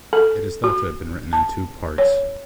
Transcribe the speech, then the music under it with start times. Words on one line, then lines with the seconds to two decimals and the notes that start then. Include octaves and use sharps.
It is thought to have been written in two parts.
0.13 A4
0.64 F#4
1.33 A5
1.98 C#5